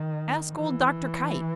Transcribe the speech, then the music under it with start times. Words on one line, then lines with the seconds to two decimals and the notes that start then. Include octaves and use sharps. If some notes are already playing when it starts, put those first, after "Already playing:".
Ask old Dr. Kite.
Already playing: D#3
0.51 E3